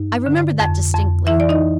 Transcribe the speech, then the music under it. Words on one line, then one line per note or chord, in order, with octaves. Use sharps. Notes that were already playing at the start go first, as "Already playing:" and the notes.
I remember that distinctly.
Already playing: G2 D#4
D3
F2
F2
E3 E4 E5
D5
D#4 D#5